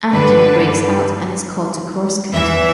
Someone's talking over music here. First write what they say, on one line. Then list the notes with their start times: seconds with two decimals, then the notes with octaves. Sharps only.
Anakin breaks out, and is called to Coruscant.
0.11 G2 D3 B4
2.33 E2 E3 E5